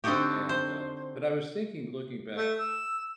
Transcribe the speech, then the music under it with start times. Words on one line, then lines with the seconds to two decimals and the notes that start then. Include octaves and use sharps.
And uh but I was thinking looking back
0.04 D3 C4 D4 D#4 F#4 G4
0.49 C5
2.37 A3
2.59 E6